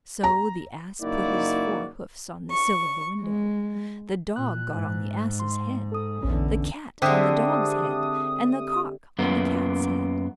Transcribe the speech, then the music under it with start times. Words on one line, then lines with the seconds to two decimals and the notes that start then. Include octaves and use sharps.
So the ass put his fore-hoofs on the sill of the window, the dog got on the ass's head, the cat on the dog's head, and the cock on the cat's head.
0.24 A#5
1.01 F#1 A#3 D#4 E4 F#4 D5
2.50 C#6
3.21 G#3
4.36 A#2 F#6
4.70 G#2
5.40 C6
5.92 A4 D#6
6.23 A#1 E2 D3 C#4
7.02 D3 G#3 C4 D4 G4 E5 D#6
9.19 F#2 A#3 B3